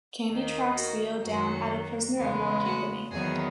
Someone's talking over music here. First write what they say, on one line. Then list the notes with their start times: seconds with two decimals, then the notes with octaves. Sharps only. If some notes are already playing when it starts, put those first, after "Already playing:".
Candy tracks Theo down at a prisoner of war camp in England.
0.30 D#2 D#3 A#3
0.76 F#4
1.23 F#2 D#3 F#3 A#3 F#4
2.17 E2 C#3 G#3 B3
2.65 F#4
3.11 E2 D#3 F#3 B3 G#4